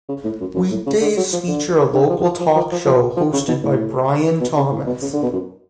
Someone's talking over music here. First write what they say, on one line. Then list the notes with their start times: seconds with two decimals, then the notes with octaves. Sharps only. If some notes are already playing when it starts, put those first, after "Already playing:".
Weekdays feature a local talk show hosted by Brian Thomas.
0.09 C#3
0.24 A2
0.40 F#2
0.55 F#2
0.71 A2
0.86 C#3
1.01 D3
1.17 F#3
1.33 F3
1.47 D3
1.93 D3
2.09 F3
2.24 F3
2.40 F3
2.55 F3
2.71 F3
2.86 F3
3.17 F3
3.33 C#3
3.48 B2
3.63 A2
4.41 B2
4.56 C#3
4.71 A2
4.87 B2
5.02 C#3
5.13 D3
5.23 B2
5.33 F#2